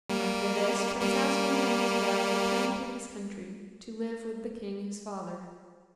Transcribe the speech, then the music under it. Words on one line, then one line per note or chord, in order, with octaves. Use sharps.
After this Prince Asmund and his bride returned to his country to live with the king his father.
G3 A#3
G3 A#3